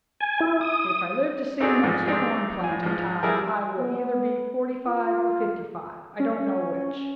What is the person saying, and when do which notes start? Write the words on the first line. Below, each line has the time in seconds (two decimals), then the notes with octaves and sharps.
"If I live to see next corn-planting time I will either be forty-five or fifty-five, I don't know which."
0.21 G#5
0.40 E4
0.61 D#6
1.60 C4 D4 D#4 F#4 G#4 A4
1.83 G#2 F3
2.07 G#3 C4 D4 D#4
2.64 A2 G#5
2.83 G#2 F3
3.23 G3 E4 G#4 A#4
3.78 B3
4.87 F4
6.20 C#4